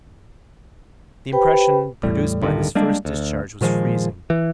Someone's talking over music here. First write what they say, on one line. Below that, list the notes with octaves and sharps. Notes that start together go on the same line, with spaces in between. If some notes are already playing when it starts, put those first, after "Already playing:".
The impression produced by this first discharge was freezing.
G4 B4 C5 G5 B5
E2 A2 G3
D1 G2 D3 D#3
G3 G#3 A#3 D4
D2
A#2 D#3 F3 G#3
E3